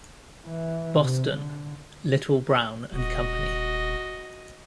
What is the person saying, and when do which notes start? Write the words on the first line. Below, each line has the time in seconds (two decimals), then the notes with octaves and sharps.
Boston: Little, Brown and Company.
0.46 E3
0.99 C3
1.33 D3
2.93 D#1 F#4 D#5